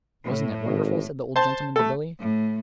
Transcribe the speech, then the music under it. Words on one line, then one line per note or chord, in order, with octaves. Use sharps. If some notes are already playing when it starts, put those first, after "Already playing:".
"Wasn't it wonderful?" said the old gentleman to Billy.
A2
G#1
C5 A5
A3 A4
A2